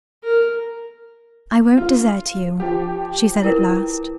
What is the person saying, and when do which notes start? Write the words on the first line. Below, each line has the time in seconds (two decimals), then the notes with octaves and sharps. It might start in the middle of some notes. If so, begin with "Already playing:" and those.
"I won't desert you," she said at last.
0.23 A#4
1.77 F4
2.60 F3 G4
3.42 E4 A#4 B4